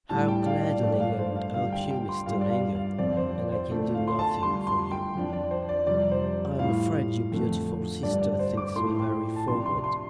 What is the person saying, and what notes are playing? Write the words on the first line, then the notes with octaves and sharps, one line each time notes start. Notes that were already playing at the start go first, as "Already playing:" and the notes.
How gladly I would help you, Mr. Lingard, and I can do nothing for you.--I'm afraid your beautiful sister thinks me very forward.
A2 G3 D4 A5
G5
D5
F5
D5
G2 F3 A3 F4 D5
F5
C5
F5
D3 G3 F4 F5
G5
G5
C6
G2 G3 D4 F4 F5
D5
F5
F5
F2 F3 C4 F4 D5
C5
D5
C5
D3 A3 F4 D5
F5
C6
A5
D3 G3 F4 C6
C6
G5
F2 F3 D4
D5
C5
D5
F2 C3 G3 D5
C5
A2 G3 F4 F5
F2 D3 A3
G2 D3 G3 D4 D5
D5
C5
D6
A2 A3 F4 C6
G5
A5
C3 F3 D4 C6
C6
C6